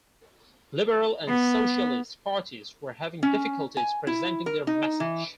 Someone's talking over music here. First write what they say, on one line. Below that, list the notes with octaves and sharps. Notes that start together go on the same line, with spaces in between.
Liberal and socialist parties were having difficulties presenting their message.
B3
C#4
G#5
E4
A#4
D#4
E3